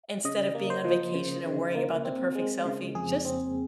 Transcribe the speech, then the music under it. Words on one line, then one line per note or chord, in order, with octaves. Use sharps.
instead of being on vacation and worrying about the perfect selfie, just,
C#3 D#5
A#3
C5
F3
C#3
C#3
A#3
C4
G#3
C#3
F2 G#4
C4